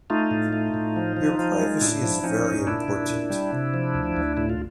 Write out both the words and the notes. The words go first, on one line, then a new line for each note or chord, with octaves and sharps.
Your privacy is very important.
A3 D#4 F4
A2
A3
A2
F3
F3
F3
G#3
A2 D4 E4
F3
F3 C#4 D#4
A2
A#2 D4 E4
A#2
A#2
G3
C3
F3
D2
D2
A2 E4
F4